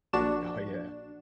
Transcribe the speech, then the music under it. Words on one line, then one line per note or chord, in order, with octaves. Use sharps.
Oh, yeah.
A#1 D4 F#4 E7